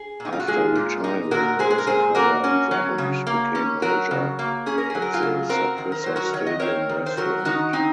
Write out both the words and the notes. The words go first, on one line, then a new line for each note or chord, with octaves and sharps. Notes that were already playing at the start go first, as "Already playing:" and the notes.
After retiring as a player, Drummond became manager at the Saprissa stadium restaurant.
Already playing: G#4
A#2
D#4
F4
F#4
G#3 F4 G#4
A#2
D#4
A#2 F#4 A#4
G#3 G#4 C5
G#4
A#4
A#2 G#4 C5
A#3 F#4 A#4
C#4
F#3
C#3
A#3
C#4
F#3 F#4 A#4
C#3
A#3
C#4 G#4
A#4
F#3 G#4
A#4
F4 G#4
C#3
C4 F#4 A#4
D#3
A#4
F#3 C5
F#4 A#4
D#3 C#5
D#5
C4 A#4 C#5
D#3
C5
F#3 F#4 A#4
D#3 D#4 F#4
C4 D#4